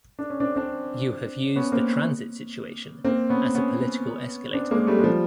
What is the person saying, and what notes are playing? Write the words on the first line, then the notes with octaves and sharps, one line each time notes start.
You have used the transit situation as a political escalator.
D4
C#4
C4 D4
C4 D4
B3 C#4
A#3 C4
A#3 C4
B3 C#4
B3 C#4
C4 D4
G#3 A#3
G3 A3
G#3
F3 G3